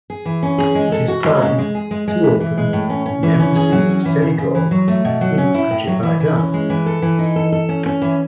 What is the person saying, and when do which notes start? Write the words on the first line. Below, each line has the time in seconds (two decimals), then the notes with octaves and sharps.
It is planned to open the Embassy of Senegal in Azerbaijan.
0.10 G#4
0.25 E3
0.43 C#4
0.58 G#4
0.75 G#3
0.92 A4
1.08 F#4
1.24 G#3
1.42 C#3
1.58 G#3
1.75 G#4
1.91 G#3
2.08 G#3
2.23 E3
2.40 E3
2.57 G#3
2.73 A2
2.90 C#4
3.06 C#4
3.23 E3
3.40 C#4
3.56 G#4
3.72 F#3
3.89 C#4
4.05 E3
4.22 C#3
4.38 C#3
4.55 E3
4.71 F#3
4.88 A3
5.05 B2
5.21 F#3
5.38 C#4
5.54 E4
5.71 A2
5.87 F#3
6.03 E3
6.20 E3
6.37 C#4
6.54 G#3
6.70 E3
6.86 A4
7.02 E3
7.19 D#4
7.36 A4
7.52 A4
7.69 C#4
7.86 C#4
8.02 E3